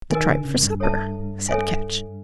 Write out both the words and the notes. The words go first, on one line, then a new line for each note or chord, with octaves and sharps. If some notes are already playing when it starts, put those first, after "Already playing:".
"The tripe for supper," said Ketch.
D#3 A#4 D#5 G#5
D3
C#3
F#2
G2
A4 C#5 E5 A5
A4 C#5 E5 G#5